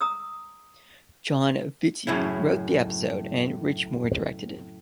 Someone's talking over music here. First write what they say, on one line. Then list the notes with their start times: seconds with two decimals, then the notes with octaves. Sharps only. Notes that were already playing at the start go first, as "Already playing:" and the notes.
Jon Vitti wrote the episode and Rich Moore directed it.
0.01 A#5 D#6 E6
2.07 F#2 A2 C#3 E4